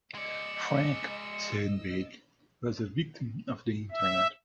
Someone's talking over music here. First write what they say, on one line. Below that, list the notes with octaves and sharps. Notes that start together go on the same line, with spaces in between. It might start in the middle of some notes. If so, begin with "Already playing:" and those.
"Frank", said Bate, was a victim of the Internet.
G#3 D5 D#5 E6 C#7
E5